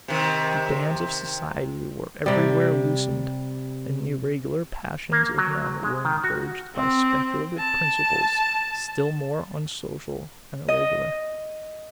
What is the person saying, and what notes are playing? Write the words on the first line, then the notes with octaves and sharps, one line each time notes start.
The bands of society were every where loosened; and the irregular passions of men were encouraged by speculative principles, still more unsocial and irregular.
C3 D#3
C3 G3
A#3
F#3
G#3
D#3
F#4
C4
A5
D#5